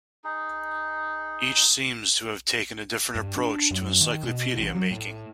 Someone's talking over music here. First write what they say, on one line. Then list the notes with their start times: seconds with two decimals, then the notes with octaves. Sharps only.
Each seems to have taken a different approach to encyclopedia-making.
0.24 D#4 G#4
3.15 G2
3.37 D4
3.71 F#2
4.01 D#3
4.23 B2
4.57 A1
4.75 F#3
4.91 A2